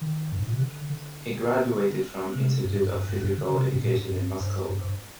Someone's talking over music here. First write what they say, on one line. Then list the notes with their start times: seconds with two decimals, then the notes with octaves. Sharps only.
He graduated from Institute of Physical Education in Moscow.
0.01 D#3
0.32 G2
0.39 G#2
0.47 A#2
0.53 C3
0.61 D3
0.90 D3
2.35 C3
2.64 G2
2.73 G#2
2.81 G2
2.94 G2
3.09 G2
3.20 G#2
3.24 G2
3.38 D3
3.53 C3
3.68 C3
3.75 G#2
3.82 A#2
3.96 G#2
4.11 G2
4.40 G2
4.69 G2
4.84 G2